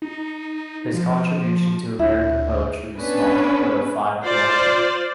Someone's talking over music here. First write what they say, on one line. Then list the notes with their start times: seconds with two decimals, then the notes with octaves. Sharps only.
His contribution to American poetry is small but of fine quality.
0.02 D#4
0.94 F3
1.99 D2 E4
2.98 B3 C#4 D4 B4
4.23 F4 C5 D5